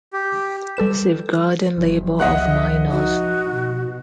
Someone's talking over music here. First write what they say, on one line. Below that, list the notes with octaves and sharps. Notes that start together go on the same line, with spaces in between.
Safeguarding labour of minors.
G4
G3 A4 B4 E7
F#1 F3
C#2 D#5 E5 F#5 F#6
D#4 F#4
B2